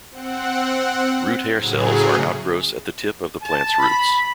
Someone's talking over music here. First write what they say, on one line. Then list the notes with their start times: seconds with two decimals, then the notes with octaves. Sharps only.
Root hair cells are outgrowths at a tip of the plant's roots.
0.11 C4 F#5
1.55 A2 C#3 F#3 G#4
3.42 A5
3.79 B5